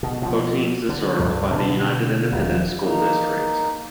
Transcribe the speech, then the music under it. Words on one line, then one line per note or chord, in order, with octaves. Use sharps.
Botines is served by the United Independent School District.
B2
B2 F3
D3
C#2 G2
B2 D3 D4
D#1
A#3 D#4